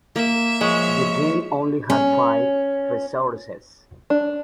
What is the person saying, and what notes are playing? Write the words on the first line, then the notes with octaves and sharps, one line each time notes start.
The game only had five resources.
A#3 E5
F3 G#3 C#5
C#4
D4